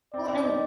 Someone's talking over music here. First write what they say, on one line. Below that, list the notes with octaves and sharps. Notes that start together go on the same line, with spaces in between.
Well, and
C4 D5
C4
D#4